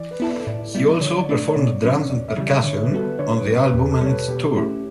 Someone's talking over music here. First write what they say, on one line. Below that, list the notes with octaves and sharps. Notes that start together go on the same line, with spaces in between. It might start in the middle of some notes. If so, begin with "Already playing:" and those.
He also performed drums and percussion on the album and its tour.
Already playing: E3 D5
B4
B3 E4 A4
D5
A2 D5
G3 B3 E4 D5
D3 C#5
D5
A3 D4
D5
C#5
B2 D5
F#3 C#4
C#5
E2 D5
E5
C#3 E3 G3
D5
D3 C#5
B4
G3 B3 F#4 A4
B4
D3 C#5
B4
G3 C#4
B4
E2 G4
A4
B2 G3 C#4 C#5
B4
B2 G4
A3 C#4 E4 G4